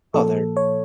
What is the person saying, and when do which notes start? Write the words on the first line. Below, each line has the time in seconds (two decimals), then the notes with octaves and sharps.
Oh, there
0.14 A#2 F3 A#3 A4
0.57 C#5